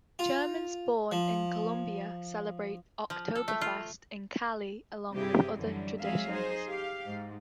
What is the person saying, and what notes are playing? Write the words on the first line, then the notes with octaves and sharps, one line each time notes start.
Germans born in Colombia celebrate Oktoberfest in Cali along with other traditions.
F4
F3
F3
A4
A3
F4
G2 C3 E4 G4 G#4
F#2 D3 E3 F#3 G3
F2 F#3 G#3 G#4 E5 F5
D#4 G#4 C5
G4 F5
G#2